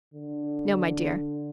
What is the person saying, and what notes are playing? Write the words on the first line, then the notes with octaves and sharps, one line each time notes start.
"No, my dear."
D3